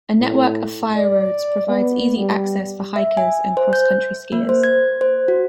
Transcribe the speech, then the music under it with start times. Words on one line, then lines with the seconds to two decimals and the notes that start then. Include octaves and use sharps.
A network of fire roads provides easy access for hikers and cross-country skiers.
0.18 A2
0.96 D5
1.68 B3
2.18 G3
2.96 E5
3.17 G#5
3.57 C5
3.73 G6
4.32 A#3
4.49 C5
4.64 G#6
5.01 C5
5.28 F#4